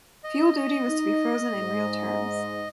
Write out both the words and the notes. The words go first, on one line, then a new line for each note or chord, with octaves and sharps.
Fuel duty was to be frozen in real terms.
D#5
D#4
G#2